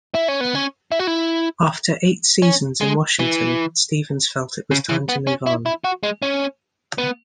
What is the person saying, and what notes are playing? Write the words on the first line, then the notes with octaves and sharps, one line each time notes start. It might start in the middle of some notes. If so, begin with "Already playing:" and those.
After eight seasons in Washington, Stevens felt it was time to move on.
E4
C#4
B3
C#4
E4
F#4
E4
C#4
G#3
E3
C#3
E3
B3
C#4
E4
E4
F#4
G#3
C#4
B3